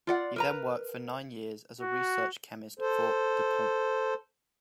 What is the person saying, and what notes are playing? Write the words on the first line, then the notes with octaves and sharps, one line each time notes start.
He then worked for nine years as a research chemist for DuPont.
F4 D5 F#5
A#4 B4 A#5
F#4
A4 C5